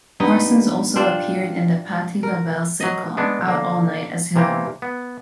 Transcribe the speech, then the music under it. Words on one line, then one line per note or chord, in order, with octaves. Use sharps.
Parsons also appeared in the Patti LaBelle sitcom, "Out All Night" as Hilary.
G2 B3 D#4
D4 F4 G4 C5
A#4
F#3 D#5
G#3 B3 D4
D3 A#3
C3 E3 A#3 G4
B3